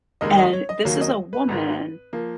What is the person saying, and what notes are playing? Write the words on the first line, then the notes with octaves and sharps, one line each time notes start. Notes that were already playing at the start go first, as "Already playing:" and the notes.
and this is a woman
F1 D#2 D#3 G#3 D#5
D#5
C#5
D#5
D#2 D#3 F#3 A#3 F5
D#5
B4
G#1 G#2 D#3
F3 A#3